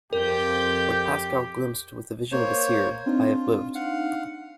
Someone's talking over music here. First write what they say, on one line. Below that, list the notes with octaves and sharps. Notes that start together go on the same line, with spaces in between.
What Pascal glimpsed with the vision of a seer, I have lived.
F2 G4 A#4 G6
A#3 C5 C#5
C4 D4 D#4 F4
F5 F#5